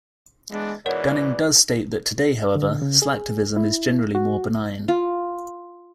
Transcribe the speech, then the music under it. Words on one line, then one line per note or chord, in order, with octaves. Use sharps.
Dunning does state that today, however, slacktivism is generally more benign.
E3 G#3 B3 D4
G#2 B2 E3 A#4 C#5 D5 F#5
D3
C#3
G#4
E4
F#4
F4